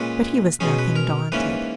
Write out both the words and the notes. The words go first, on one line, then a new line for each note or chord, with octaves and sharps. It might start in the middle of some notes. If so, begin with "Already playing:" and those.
'But he was nothing daunted.
Already playing: A#2 G#3 C#4 B4
B2 G#3 C#4 G#4
B4
A#4
G#2 E3 A#3 C#4 B4